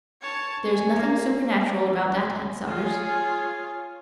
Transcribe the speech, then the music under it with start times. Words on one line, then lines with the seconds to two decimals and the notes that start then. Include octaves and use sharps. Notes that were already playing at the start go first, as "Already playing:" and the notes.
There's nothing supernatural about that hand, Saunders.
0.21 C#5 A5
0.65 G#5
0.95 A#3
2.67 F4 G#4 C#5 G#5